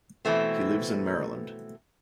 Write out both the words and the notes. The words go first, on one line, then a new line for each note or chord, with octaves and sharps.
He lives in Maryland.
B2 E3 A3 C4